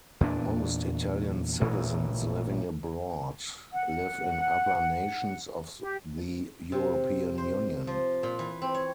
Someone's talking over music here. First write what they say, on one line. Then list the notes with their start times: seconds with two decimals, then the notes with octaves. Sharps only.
Most Italian citizens living abroad live in other nations of the European Union.
0.21 E2 A#2 D4
1.61 A1 A#2 E3
3.71 F#5
5.82 G4
6.72 C3
7.38 C5
7.87 F3
8.23 A#2
8.39 E3
8.62 C4
8.74 C#5